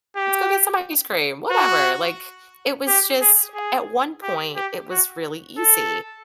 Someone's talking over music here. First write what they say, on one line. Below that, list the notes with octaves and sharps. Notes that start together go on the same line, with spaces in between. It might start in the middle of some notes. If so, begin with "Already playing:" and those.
"Let's go get some ice cream," whatever, like, it was just at one point, it was really easy,
G4
F#4
G4
G#4
G#4
G4
G4
F#4
A4